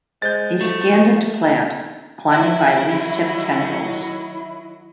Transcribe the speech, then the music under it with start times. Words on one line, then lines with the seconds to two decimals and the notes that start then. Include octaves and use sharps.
A scandent plant, climbing by leaftip tendrils.
0.22 G#3 C5 G6 A6
0.61 F3 A3 C#6
2.33 D#3 F#3 E4